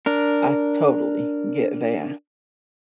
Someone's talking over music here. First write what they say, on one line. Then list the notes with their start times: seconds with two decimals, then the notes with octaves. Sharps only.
I totally get that.
0.06 D4 A#4